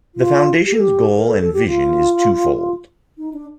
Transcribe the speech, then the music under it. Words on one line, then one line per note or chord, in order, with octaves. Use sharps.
The Foundation's goal and vision is two-fold.
F4
G4
A4
G4
A#4
A4
A4
G4
F4
D#4
D4